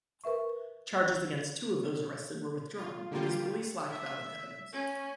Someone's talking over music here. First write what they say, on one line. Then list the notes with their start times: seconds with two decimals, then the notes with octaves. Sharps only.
Charges against two of those arrested were withdrawn because police lacked valid evidence.
0.24 A#4 B4 E5 C#6
2.78 F4
3.12 D3 G3 A#3 F4 G4
3.90 E5
4.73 C#4